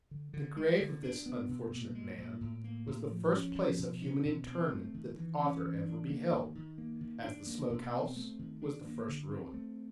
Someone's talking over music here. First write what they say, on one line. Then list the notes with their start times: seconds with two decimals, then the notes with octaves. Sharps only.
The grave of this unfortunate man was the first place of human interment that the author ever beheld, as the smoke-house was the first ruin!
0.11 D3
0.34 D3
0.57 G#3
0.80 D3
1.03 D4
1.26 B3
1.49 B2
1.72 A#2
1.95 G#3
2.18 A#2
2.41 A2
2.64 A#3
2.87 A2
3.10 F3
3.33 C#4
3.56 F3
3.79 B2
4.02 C#4
4.25 B2
4.48 C4
4.71 A3
4.94 D#3
5.17 E3
5.39 C#4
5.63 E3
5.86 D4
6.09 A#3
6.32 D#3
6.55 D#3
6.78 A#3
7.01 D#3
7.24 D4
7.47 A#3
7.70 B2
7.93 C4
8.16 A3
8.39 D#3
8.62 D4
8.85 A#3
9.08 D3
9.31 C4
9.54 A3